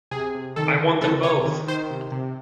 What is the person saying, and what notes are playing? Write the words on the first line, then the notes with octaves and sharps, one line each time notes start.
I want them both!
C3 G#4
C3
D#3 A4
D#3
C3 A4
C3 C#5
D#3
D#3 C5
C3
C3